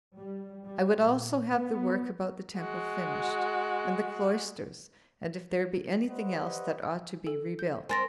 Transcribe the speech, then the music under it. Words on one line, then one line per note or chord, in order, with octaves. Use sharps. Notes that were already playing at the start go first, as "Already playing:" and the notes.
I would also have the work about the temple finished, and the cloisters, and if there be any thing else that ought to be rebuilt.
G3
G3
A#2
B3
G#3 F#4
G4 B4 C5 D5 D#5 F#5
A4
G6
C4 A#4 G#5 A6 A#6